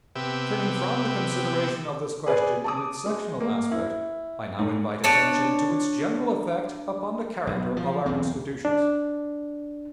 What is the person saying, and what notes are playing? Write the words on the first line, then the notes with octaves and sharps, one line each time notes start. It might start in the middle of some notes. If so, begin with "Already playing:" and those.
Turning from the consideration of this question in its sectional aspect, I now invite attention to its general effect upon the character of our institutions.
C3 B3 G4 E5
G#4 B4 D5 G#5
A5 D6 D#6
G#3
A#3
E4
G#2
D4 C#5 A5
B1
F3
B1 E2 C4
D4